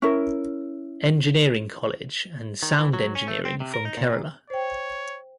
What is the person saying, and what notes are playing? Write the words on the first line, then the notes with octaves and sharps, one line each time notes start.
Engineering College and Sound Engineering from kerala.
C#4 E4 A#4
D#3
E3
F#3
C#4
A3
C4
C3
A#4
D#4
A#2
A#2
C5 C#5 G5